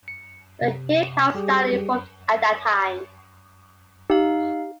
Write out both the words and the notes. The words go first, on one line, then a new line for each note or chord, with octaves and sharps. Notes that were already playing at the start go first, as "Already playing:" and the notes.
The hip house style evolved at that time.
C#7
C3
G3 G4 G#4
D#4 G4 F5